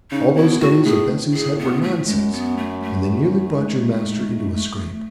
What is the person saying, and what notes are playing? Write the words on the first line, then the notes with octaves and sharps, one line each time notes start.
All those studies of Bessie's head were nonsense, and they nearly brought your master into a scrape.
C#3 D#4
B2 E4
A2 F#4
A2 G#4
A2
G#4
B3
A3
F#2 G#3
B3
A3
A3
G#2